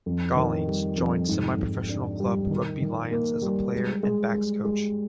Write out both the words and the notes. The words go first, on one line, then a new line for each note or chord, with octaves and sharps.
Gollings joined semi-professional club Rugby Lions as a player and backs coach.
F2
D#3
G3
F2
G#2
G#2
D4
G3
D#3
D#3
A#3
G3
G#3
G#3
G#3
G#3